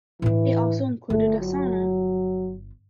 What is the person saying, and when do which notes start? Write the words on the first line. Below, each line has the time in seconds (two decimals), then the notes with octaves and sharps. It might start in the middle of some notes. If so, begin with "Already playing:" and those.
It also included a sauna.
0.22 A2 E3 D4
1.10 G1 A3
1.40 F#3